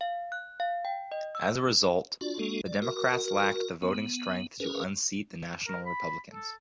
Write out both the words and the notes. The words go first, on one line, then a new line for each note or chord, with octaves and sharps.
As a result, the Democrats lacked the voting strength to unseat the National Republicans.
F5
F#6
F5
G5
D#5
E6
D4 F4 F#4 D5
G#3 A#3 D4 F#4 A4
D5
F#4 A#4
B3
C#4 G#4 A#4 B4
A#4
B5
A4